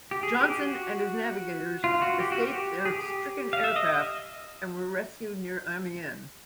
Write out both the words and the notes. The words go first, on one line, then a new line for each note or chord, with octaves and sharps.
Johnson and his navigator escaped their stricken aircraft and were rescued near Amiens.
G4
G#4
G4
F#4
F4
F#4
G4
F#4
G4
G#4
G4
F5
E5
D#5